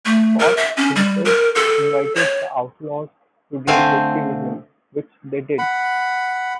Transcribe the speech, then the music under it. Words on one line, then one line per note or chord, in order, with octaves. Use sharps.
Scott himself invited the outlaws to drink whisky with him, which they did.
A3
A#4
E5
C#4
G3
A#4
A4
C#5
D3 A3 C4 C5 F5 G#5
F#5 B5